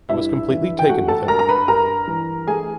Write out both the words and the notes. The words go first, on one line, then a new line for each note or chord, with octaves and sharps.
I was completely taken with him.
G2 E4 E5
E3
G5
A3 F#4 F#5
A4 A5
G2 A#4 A#5
A#5
B4 B5
G2 A#4 A#5
E3
A3 G#4 G#5